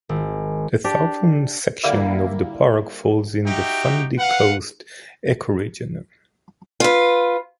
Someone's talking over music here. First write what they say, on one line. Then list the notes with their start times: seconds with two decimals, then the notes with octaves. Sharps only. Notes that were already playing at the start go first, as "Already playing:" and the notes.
The southern section of the park falls in the Fundy Coast ecoregion.
0.09 G#1
0.84 D4 G4
1.84 D3 G3 A#3 E4
3.45 D#4 F#4 G4 E5 G5
4.17 B4 F5 F#5
6.80 F4 B4